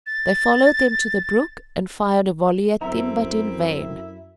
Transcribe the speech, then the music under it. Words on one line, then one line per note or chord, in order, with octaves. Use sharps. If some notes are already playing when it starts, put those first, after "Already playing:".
They followed them to the brook, and fired a volley at them, but in vain.
A6
F#2 C4 E4 A4 E5 A#5